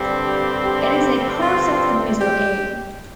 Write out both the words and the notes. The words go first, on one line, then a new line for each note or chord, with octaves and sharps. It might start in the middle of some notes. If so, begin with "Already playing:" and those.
It is a part of the middle ear.
Already playing: G2 D3 G3 C4
G4
G4
F4
G4